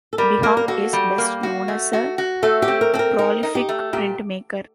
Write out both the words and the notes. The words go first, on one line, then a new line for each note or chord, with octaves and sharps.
Beham is best known as a prolific printmaker.
A4
G3 A#4
A#3 A#4
A#4
F#4 A4
G3
A#3
F#4
A3
F#4
F#4
A3 A4
G4
C4
A#4
C4 A4
A#4
D#4 A#4
D#4
G4
A3
A#2 G4